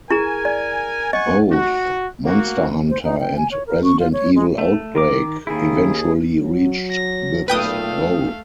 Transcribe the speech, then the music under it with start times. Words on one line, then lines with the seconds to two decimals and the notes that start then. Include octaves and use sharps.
Both "Monster Hunter" and "Resident Evil Outbreak" eventually reached this goal.
0.10 E4 G#4 A#4 G#5 A#5
0.45 D5
1.13 D#5 F#5 G#5 C#6
1.52 F#4
2.26 A#3 F#4
2.90 C5
3.04 D#4
3.20 G5
3.37 G#5
3.51 C#5
3.67 A#4
3.84 C#6
4.00 F4
4.13 C#5
4.35 G#3
4.58 A3
4.95 D#3 A#4 D6
5.47 D#2 D#3 E4 G#4
6.40 F#3
6.90 A#6
7.48 B1 A#2 A3 B4 F5 G5 D#6